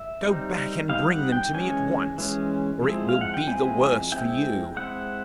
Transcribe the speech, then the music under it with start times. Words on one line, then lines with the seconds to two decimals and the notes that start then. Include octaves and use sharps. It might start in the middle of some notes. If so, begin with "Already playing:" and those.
Go back and bring them to me at once, or it will be the worse for you.'
Already playing: E5
0.25 G3 C4 D#4
0.89 G3 C4 D#4 F5
1.11 F#5
1.32 G5
1.53 E3 G#3 C#4 G#5
2.18 E3 G#3 C#4
2.83 F3 G#3 C4 E4
3.09 F5
3.21 F#5
3.34 G5
3.47 F3 G#3 C4 E4 G#5
4.12 G#3 C4 E4 G5
4.77 G#3 C4 E4 F#5